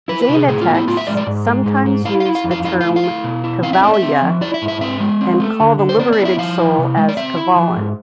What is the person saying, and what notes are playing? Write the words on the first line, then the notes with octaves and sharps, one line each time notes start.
Jaina texts sometimes use the term Kevalya, and call the liberated soul as Kevalin.
E4 B4
B4
C3
G#4
A2 G#4
F4
B3
E4
A2 F4
E5
G#3 D5
D5
G#2
G#3
G#2
G#3
E4 F5
F5
E4
F5
F2
F5
E4 F5
F5
A3
F5
E4
B2
E4
C4 F5
E5
A3 D5
E5
C4
F3
E4 D5
E5
G#2
E5
C4 E5
G#3
C4
A3
D3
D3
C5
B3 D5
D5
E4
E5
F3 F5
E4
C3
G#3
D5
C4 E5
E4
F3
G#2